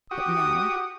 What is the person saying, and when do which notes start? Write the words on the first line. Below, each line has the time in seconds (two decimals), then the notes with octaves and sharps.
But now?
0.11 F#4 G4 D#6